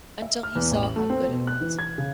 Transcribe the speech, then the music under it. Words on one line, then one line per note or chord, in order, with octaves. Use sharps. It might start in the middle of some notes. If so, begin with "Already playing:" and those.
Until he saw how good it was.
E5
F6
E2
A1
F#7
A3
C4
B2
F#6
E3
G#6
C#3